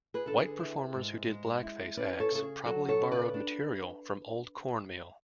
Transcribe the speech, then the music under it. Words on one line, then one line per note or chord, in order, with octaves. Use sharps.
White performers who did blackface acts probably borrowed material from Old Corn Meal.
G#4 B4
D3 A4
G#4 B4
E4
G#2
G#3
E4
C#4 B4 D5
A4 C#5
C#3 A4
G#4
F#3 F#4 A4
A4 C#5
C#3
B4 D5
D4